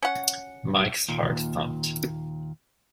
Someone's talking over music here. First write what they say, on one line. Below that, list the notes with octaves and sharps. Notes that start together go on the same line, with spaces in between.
Mike's heart thumped.
C#4 F#5
D#2 A#2